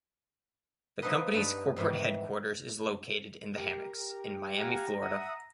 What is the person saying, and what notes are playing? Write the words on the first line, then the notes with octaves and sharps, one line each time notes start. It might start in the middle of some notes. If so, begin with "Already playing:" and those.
The company's corporate headquarters is located in The Hammocks, in Miami, Florida.
F3 C4 D#4 A4 B4 D#5
G2 D#4 B4 A5
F2 G#2 D#3 E3
G4 A#4
G4
F5 F#5 G#5 A#5
E5 F#5 D#6